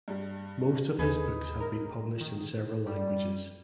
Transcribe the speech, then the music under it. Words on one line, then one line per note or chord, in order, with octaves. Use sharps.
Most of his books have been published in several languages.
G2 G3
D#2 D#4 G#4 B4
A#4
D#3
G3